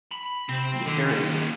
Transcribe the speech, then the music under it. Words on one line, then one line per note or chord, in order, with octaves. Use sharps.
mm dirt and
B5
C3 C4
D3 D#3
A#3 C#4